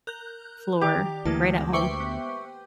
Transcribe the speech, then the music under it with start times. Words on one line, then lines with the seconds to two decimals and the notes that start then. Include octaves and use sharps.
floor right at home.
0.07 A#4 F#6 G6
0.81 D#3 G4 D5 F7
1.25 D2 E3 G#3 A#3 A5
1.73 B4 C5 E5 G5 C#6 D6
2.00 B3